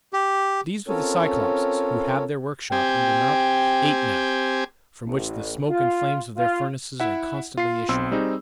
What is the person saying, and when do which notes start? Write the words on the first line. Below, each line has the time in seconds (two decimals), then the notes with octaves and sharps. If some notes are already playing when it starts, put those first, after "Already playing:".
These were the Cyclopes, who have their workshop under Mount Aetna, from which the smoke and flames of their furnaces are constantly issuing.
0.13 G4
0.88 C4 C#4 F4 A4 A#4 C#5
2.72 C4 G4 G5 G#5
5.05 A1
5.69 F4
6.37 F4
7.00 E4 E5 F#5
7.57 F4 C7
7.89 B1 C4 C6 E6
8.11 G3 C4 D#4 G#4